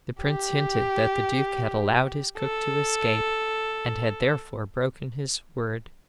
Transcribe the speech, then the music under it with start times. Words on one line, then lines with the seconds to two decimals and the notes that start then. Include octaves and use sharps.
The prince hinted that the duke had allowed his cook to escape, and had therefore broken his word.
0.22 G4
2.38 A4